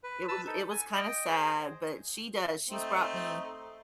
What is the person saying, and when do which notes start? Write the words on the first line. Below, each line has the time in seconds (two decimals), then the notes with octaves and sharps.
It was it was kinda sad, but she does. She's brought me
0.03 B4
0.28 B4 A5 E6
0.47 D#4 A4
0.70 G#5
0.93 D#5 G5
1.28 G#4 C5
2.69 A3 C4 D#4